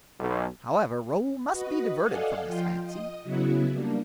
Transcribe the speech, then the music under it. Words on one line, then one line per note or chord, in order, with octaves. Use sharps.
However, Raoul must be diverted from this fancy.
B1
F#4 B4 D#5
A4 D5 D#5 F5 F#5 G#5
F3 F4 G5 C6
D#5 D#6
C#3 F#3 B3 E4 F#4
G3 A#3 D4